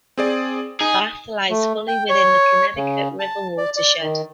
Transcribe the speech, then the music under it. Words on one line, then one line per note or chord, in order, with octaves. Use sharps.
Bath lies fully within the Connecticut River watershed.
C4 G#4 D5
D#4 G#4
A3
G5
C#5
C#3
A5
D5
D5
D#3